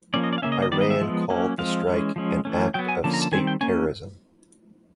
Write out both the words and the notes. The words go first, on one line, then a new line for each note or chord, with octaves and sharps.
Iran called the strike an act of "state terrorism".
F3 A#3 C#4 D5
D#5
D5
F5
C#3 F3 A#3 C#4 E5
D#5
D#5
D#3 G3 B3 D5
D#5
E5
F3 G#3 B3
F#3 A#3 C#4
F3 G#3 C4 F5
E3 G#3 C#4
F3 G#3 C#4
E3 A3 C#4
F#3 B3 G5
G#5
D3 F3 A#3 C#4 A5
A#5
A5
D#3 G3 C4 G#5
G5
A#3 C#4 G#5